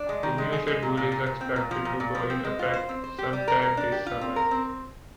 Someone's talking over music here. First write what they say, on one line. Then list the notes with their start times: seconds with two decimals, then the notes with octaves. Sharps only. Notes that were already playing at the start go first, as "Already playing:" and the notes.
The new schedule is expected to go in effect some time this summer.
Already playing: D4
0.09 G#3
0.23 D#3
0.38 G#3
0.53 G#4
0.68 G#3
0.83 A#2
0.97 A#2
1.12 A#2
1.26 A#2
1.41 C4
1.56 A#2
1.71 F3
1.85 A#2
2.00 A#2
2.15 F3
2.30 C4
2.45 G#3
2.59 F4
2.74 C5
2.89 C4
3.04 C5
3.18 G4
3.33 G3
3.48 A#4
3.62 A#4
3.77 D4
3.92 G4
4.06 F4
4.21 C4
4.36 A#4
4.51 C4